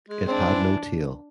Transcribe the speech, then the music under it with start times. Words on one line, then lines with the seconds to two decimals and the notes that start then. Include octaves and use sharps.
It had no tail.
0.09 G#3
0.28 C4 D4
0.47 E3